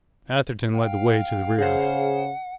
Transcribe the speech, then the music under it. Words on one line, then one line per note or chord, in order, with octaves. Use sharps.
Atherton led the way to the rear.
F5 G5
C#3 G#4 C5 F#5